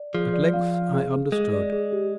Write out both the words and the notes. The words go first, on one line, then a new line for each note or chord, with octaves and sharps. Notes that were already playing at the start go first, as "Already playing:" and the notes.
At length I understood.
Already playing: D5
F3 G#4
D5
F5
F5
G#4
G#4
G#3 G#4
D5
G#4
G4